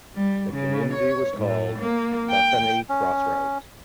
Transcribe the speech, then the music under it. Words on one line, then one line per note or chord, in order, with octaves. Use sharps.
The community was called "Bethany Crossroads".
G3
C#3
C#5
A2
A#3
G5
C#4